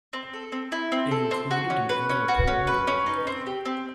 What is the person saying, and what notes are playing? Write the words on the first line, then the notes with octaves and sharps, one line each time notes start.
It included an indoor pool and bowling alley.
C4
A4
C4
E4
C4
A4
C4
F#4
C#4
B4
C#4
F#4
C#4
B4
C#4
D#4
C4
G4
C4